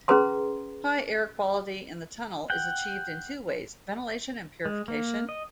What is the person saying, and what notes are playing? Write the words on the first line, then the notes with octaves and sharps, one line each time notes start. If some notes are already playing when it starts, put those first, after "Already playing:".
High air quality in the tunnel is achieved in two ways: ventilation and purification.
C#4 G#4 B4 A#5 C6
F#5 G5
G#3
A#3
D#5